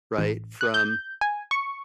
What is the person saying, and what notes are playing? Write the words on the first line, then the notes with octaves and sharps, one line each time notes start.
right, from
A1
F#6
G6
G#5
C#6